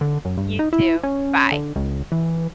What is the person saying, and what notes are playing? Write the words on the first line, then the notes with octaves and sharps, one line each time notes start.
You too. Bye.
D3
F#2
G2
D#4
E4
C#4
D3
C#2
E3